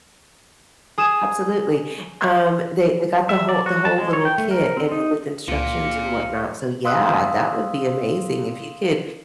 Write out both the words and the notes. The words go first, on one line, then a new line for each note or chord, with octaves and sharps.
Absolutely, um, they they got the whole the whole little kit and with instructions and whatnot. So yeah, that would be amazing if you could
G#4 D#6 E7
E5
D5
F#4
A5
G#3
C#5
G5
A3
A#4
C4
D#4
C#2 A#2 F5 C#7
F5 C6 D#6 E6 F#6